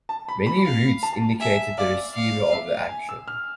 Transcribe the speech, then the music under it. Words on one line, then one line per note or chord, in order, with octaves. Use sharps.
Many roots indicate the receiver of the action.
A5
B5
B5
F5
A5
A5
E5 G#5
D5 F5
F5
E5
G#5
E6
F6